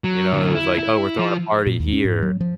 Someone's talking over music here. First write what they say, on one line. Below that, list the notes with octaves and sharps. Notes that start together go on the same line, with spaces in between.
You know, it was like, "Oh, we're throwing a party here,"
F#3
D3 F#3
E4
E4
F3
A#2
D#2
C#4
G#2
F#3
F3